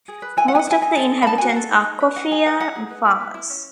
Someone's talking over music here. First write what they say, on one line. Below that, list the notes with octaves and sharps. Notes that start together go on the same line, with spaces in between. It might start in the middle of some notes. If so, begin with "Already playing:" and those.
Most of the inhabitants are coffea farmers.
G#4
B4
E4 G#5
F#5
B4 G#5
F#5
E4 G#5
D#4 G#5
A4
D#4
B5
D#4 A5
F#4 G#5
F#5
A4
D#4
G#4
B4
D#4 F#5
G#4 G#5
B4 F#5
E4 F#5
G#4
B4
E4
B4
E4
C#4